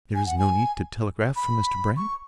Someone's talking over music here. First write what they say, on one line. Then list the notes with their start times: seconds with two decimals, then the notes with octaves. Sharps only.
"There is no need to telegraph for Mr. Brand?"
0.15 G#5
0.26 F#5
0.38 G#5
1.36 B5
1.97 C#6